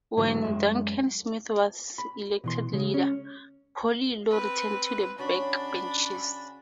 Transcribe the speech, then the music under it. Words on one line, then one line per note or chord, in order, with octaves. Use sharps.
When Duncan Smith was elected leader, Portillo returned to the backbenches.
G#2 D3 E3 F#3 G#3
F#2 G#3 E5
B5
B2 E3 C6
C#3 G#3
C#4
C4 B4
C#3 D4 F#4 C#5 B5